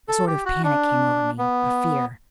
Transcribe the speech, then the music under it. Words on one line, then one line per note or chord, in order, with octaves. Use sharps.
A sort of panic came over me, a fear.
A4
G4
F#4
D4
B3